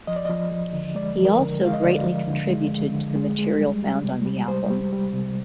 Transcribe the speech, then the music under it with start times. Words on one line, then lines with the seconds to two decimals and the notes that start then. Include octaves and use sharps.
He also greatly contributed to the material found on the album.
0.07 F3 D#5
0.16 D5
0.25 F3 D#5
0.51 F3
0.73 D3
0.95 G#3 D5
1.18 F3
1.25 A#4
1.40 D3
1.62 G#3 F5
1.74 D#5
1.84 D3 D5
2.05 F3
2.27 D3
2.50 G#3
2.72 G#3
2.94 D3
3.15 G#3
3.38 G#3
3.60 G3
3.82 G3
4.04 C3
4.26 G3
4.48 G3 C5
4.70 G3
4.93 G3
5.13 C3